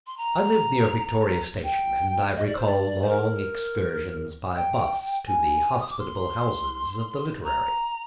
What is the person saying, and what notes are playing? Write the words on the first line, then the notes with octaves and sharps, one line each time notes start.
I lived near Victoria Station, and I recall long excursions by bus to the hospitable houses of the literary.
C6
A#5
G5
D#5
D5
C5
D5
C5
A#4
G5
G#5
D#6
D6
C6
A#5